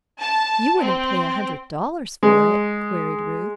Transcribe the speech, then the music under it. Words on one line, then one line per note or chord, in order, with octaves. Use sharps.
"You wouldn't pay a hundred dollars for it?" queried Ruth.
A5
C4
G#3